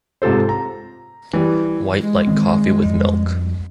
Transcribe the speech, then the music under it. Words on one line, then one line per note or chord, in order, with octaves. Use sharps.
White like coffee with milk!
G#2 C3 F4 A4 C5
A#5
E3 G3
G#3
D#3 E3 C4
F2 G3